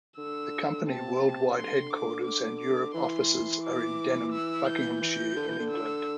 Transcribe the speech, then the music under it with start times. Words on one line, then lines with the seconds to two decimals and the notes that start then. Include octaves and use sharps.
The company worldwide headquarters and Europe offices are in Denham, Buckinghamshire in England.
0.18 D3 E6
0.87 C3 A5
1.56 D3 C6
1.90 D6
2.25 D6
2.60 D6
2.94 E3 C6
3.64 D6
4.32 E6
4.66 G6
5.01 E3 G6
5.36 D3
5.48 E3
5.59 D3
5.71 E6